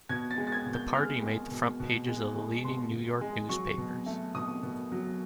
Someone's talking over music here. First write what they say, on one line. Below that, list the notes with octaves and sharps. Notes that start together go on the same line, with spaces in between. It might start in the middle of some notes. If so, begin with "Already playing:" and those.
The party made the front pages of the leading New York newspapers.
B2 G#6
A6
G#3
A6
G#6
B2
G6
G#3 F6
G#3
B2
B2
G#3
G#3
B2 C6
B2
G#3
F#3 C#6
B2
A3
B2 D#6
B2
F#3